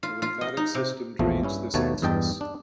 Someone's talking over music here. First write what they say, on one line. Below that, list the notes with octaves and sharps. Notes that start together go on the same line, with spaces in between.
The lymphatic system drains this excess.
F4
F4
D#5
D#4
C3
A#1 E2 B2 F3 A3
G2 C#4 E4
D#2 B2 A3 A#3 C#5 A5
E2 G2 D#5 G5 A5
D4